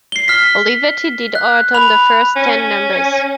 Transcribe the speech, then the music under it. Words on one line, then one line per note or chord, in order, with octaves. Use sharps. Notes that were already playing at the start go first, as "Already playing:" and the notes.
Olivetti did art on the first ten numbers.
C7 G7
F6 B6
F#6
B5 F7
C#4